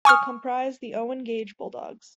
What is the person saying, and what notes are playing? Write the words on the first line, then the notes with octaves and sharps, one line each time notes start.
They comprise the Owen-Gage Bulldogs.
G#5 C#6 D#6 F6